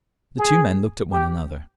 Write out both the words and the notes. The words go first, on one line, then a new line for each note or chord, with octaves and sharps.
The two men looked at one another.
G#4
G4